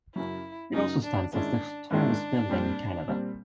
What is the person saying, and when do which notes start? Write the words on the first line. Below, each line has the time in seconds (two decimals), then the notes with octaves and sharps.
It also stands as the tallest building in Canada.
0.15 F#2 C#3 F#3 E4
0.74 F#2 C#3 F#3 D#4
1.04 D4
1.33 G#2 D#3 G#3 C#4 D4 E4
1.91 G#2 D#3 G#3 C#4 D4 E4
2.50 A#2 G3 C4
3.08 A#2 G3 C4